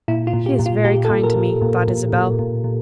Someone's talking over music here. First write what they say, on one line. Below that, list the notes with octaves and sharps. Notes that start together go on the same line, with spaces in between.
"He is very kind to me," thought Isabel.
A#2 E4
F4
A#2
G4
A#2
F4
A#2 G4
A4
A#2
A#4
A#2
A#2
A#2
A#2
A#2
A#2